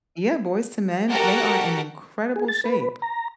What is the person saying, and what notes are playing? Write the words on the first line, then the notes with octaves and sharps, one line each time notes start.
Yeah, Boyz II Men, uh, they are in incredible shape,
F#4 G4 A4 A#4 F#5
G#4
A6
B4
A#5